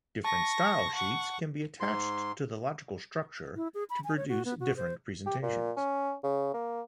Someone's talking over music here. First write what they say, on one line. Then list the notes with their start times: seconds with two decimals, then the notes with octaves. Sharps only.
Different style sheets can be attached to the logical structure to produce different presentations.
0.25 A5 C#6 A#6
0.95 F#5 C#6
1.80 G#2 C6
3.56 E4
3.74 G#4
3.90 B5
4.04 G#5
4.17 C#5
4.29 F#4
4.45 B3
4.60 F#4
4.77 C5
5.26 G4
5.43 A#2
5.77 C#4
6.24 C#3
6.54 A#3